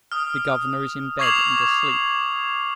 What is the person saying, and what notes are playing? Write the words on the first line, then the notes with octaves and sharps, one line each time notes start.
"The governor is in bed, and asleep."
D#6 F6
C#6 D6 G#6 C7 F7 F#7